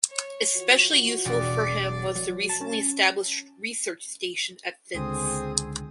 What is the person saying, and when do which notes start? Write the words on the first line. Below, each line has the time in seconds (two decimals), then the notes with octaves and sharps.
Especially useful for him was the recently established research station at Finse.
0.10 C#5
0.56 E3 F4 F#4
1.25 E1 D5
2.16 F#3
2.49 A5
2.61 C#4
4.95 C#2 D3 C4 G#4 D#6